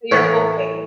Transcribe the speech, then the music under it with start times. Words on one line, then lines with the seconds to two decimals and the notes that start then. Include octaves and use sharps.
So you're hoping
0.11 A2 E3 C#5